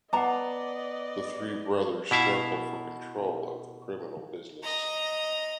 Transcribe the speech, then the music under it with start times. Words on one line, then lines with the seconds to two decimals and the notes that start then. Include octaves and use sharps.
The three brothers struggle for control of the criminal business.
0.13 B3 D5 D#5 F#5 A5 A#5 D6
2.11 B2 E4 E5 F5
4.63 D#5 A#5